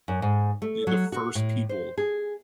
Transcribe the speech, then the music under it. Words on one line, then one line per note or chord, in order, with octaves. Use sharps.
e the first people
F#2
G#2
A3
F#3
F#4
A2
C5
G#4